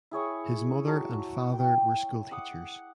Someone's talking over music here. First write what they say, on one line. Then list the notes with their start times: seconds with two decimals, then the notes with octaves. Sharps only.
His mother and father were school teachers.
0.11 E4 G#4 C#5 D#6
0.87 F#3 F#4 A5
1.53 G5
2.31 F#5 D6 D#6